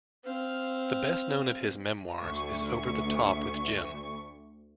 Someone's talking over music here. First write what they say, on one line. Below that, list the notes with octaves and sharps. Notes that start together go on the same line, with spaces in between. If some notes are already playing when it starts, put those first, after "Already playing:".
The best known of his memoirs is "Over The Top With Jim".
C4 F5
D2 C#6